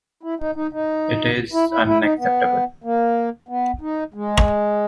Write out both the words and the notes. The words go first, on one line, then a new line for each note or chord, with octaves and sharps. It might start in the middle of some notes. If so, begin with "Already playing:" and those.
It is unacceptable.
E4
D#4
D#4
D#4
E4
E4
E4
D#4
B3
A#3
B3
D#4
G#3